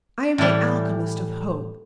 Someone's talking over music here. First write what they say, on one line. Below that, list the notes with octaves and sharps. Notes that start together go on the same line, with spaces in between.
I am the alchemist of hope.
A2 E3 G3